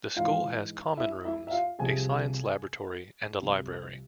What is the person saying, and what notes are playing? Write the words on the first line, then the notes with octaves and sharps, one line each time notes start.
The school has common rooms, a science laboratory and a library.
G#2 E3 F4 F5
E4 E5
E4 E5
E5
F4 F5
C2 C3 F3 G#4 G#5
C2 C3 F3